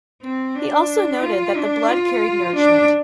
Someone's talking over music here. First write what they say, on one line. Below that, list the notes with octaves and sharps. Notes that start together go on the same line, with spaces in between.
He also noted that the blood carried nourishment.
C4
D4
F4
D4
F4
D4